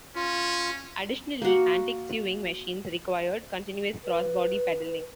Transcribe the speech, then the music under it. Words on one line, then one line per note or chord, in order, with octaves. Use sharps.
Additionally, antique sewing machines required continuous cross body pedaling.
C#4 F4
A#3 F#4
B4